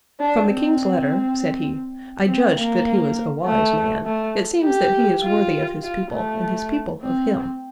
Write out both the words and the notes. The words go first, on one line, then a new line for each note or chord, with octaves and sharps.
"From the king's letter," said he, "I judged that he was a wise man. It seems that he is worthy of his people, and his people of him."
D4
C4
C4
A#3
A3
A3
G4
F4
F4
A3
C4